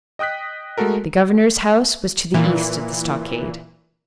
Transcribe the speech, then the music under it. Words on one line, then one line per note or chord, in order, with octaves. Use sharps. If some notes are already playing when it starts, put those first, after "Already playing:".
The governor's house was to the east of the stockade.
D#5 G5 D#6 F#6 B6
G#3 A3 F#4 A4 A#4
A#2 E3